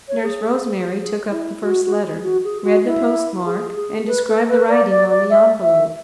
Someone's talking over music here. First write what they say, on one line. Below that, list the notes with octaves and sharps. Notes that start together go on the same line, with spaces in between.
Nurse Rosemary took up the first letter, read the postmark, and described the writing on the envelope.
C#5
G#4
G#4
E4
F#4
F#4
G#4
F#4
G#4
F#4
E4
G#4
G#4
B4
A4
B4
D5
D5
D5
E5
E5